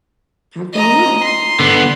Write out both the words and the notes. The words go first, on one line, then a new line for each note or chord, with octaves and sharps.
I have my own life."
D#5 A#5
C6
D3 B3